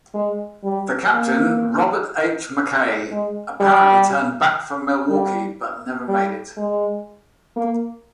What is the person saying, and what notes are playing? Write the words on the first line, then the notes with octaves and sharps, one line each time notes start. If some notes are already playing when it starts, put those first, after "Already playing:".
The captain, Robert H. McKay, apparently turned back for Milwaukee, but never made it.
G#3
G3
A#3
G#3
G3
G3
G3
G#3
A#3